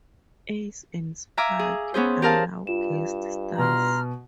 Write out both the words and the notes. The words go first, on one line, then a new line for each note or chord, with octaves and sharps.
Ace and Spike are now guest stars.
E5 F5 G#5 A#5 D6
G#4
B3 C#4 G#4 C5
G4 G#4 A#4 F5 A5
G2 F4 E7
B2 A#5 C6 F6